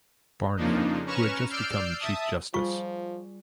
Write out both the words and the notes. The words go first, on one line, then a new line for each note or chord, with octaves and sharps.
Barnhill, who had just become Chief Justice.
F2 C#3 F3 A#3 D4 D#4
C#4 B4 A#5 C#6 F6 E7
D5 E6 F6 G6 C7 D7
E5 A5 D#6
F3 G3 F4 G#4 C#6